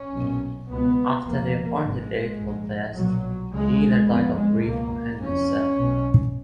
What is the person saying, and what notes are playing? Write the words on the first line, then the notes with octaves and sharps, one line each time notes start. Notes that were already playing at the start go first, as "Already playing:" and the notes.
After the appointed date was past, she either died of grief or hanged herself.
Already playing: C#4
B1 A#2
C#2 B2 B3
F1 F2 C#3 A#3
G#1 G#2 G#3
A#1 G#2
B1 A#2 F#3
C#2 C#3 G#3
F#1 F2 C#3 B3
G#3
C#2 B2 A#3
F#1 F2 C#3 C#4
B1 B2